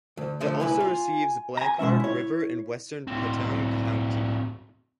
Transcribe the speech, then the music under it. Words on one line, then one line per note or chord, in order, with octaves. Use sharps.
It also receives the Blanchard River in western Putnam County.
D2
D3 F3 A3
C2 E4 B4 G#5
F4
G#5 A#5
B2 G#3 C#4 E5
E4 C#5
A2 C4